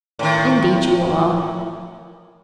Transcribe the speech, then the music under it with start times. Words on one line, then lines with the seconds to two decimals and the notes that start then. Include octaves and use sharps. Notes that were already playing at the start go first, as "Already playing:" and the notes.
'Indeed you are.
0.19 A2 D#3